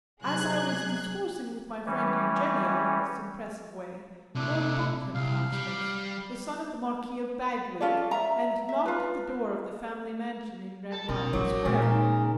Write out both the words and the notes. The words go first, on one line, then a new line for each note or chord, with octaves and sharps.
As I was discoursing with my friend Eugenio in this impressive way, Lord Buckram passed us, the son of the Marquis of Bagwig, and knocked at the door of the family mansion in Red Lion Square.
C3 F#3 G#4 F#6 G#6
E3 G3 C#4
C3 A3 D4 E4
C2 F5
G3
C#4 F4 A4 D5
E5 A#5
E5
F4 B4
A4
B2 C#4 A#4 D#5 C6
A1 F3 F#3 C#5 C#6 D6
A#2 C#3 G#3
D#4 A#5